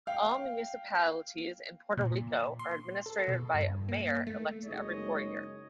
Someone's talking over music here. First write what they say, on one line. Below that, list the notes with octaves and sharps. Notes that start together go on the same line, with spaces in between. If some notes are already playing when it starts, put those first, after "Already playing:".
All municipalities in Puerto Rico are administered by a mayor, elected every four years.
F5 G5
A#2
C6
A4
B2
G2
A#3
A3
F#1 G#3 D#4 C#5 D#5